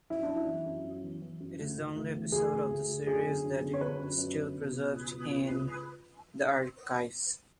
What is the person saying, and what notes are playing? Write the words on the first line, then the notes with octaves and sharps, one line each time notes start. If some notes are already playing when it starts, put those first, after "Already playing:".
It is the only episode of the series that it still preserved in the archives.
F#2 E4
D4
F#2
E4
E3
F#2
F#2
E3
E3
F#2
D2
D2
D2
E3
D2 G#4
D2
D2
D2
F#2 G#4
D3
F#2
D3
C#5
D3 B4
F#2
F#2
D3
B2
B2
C#2
B2
C#2
C#2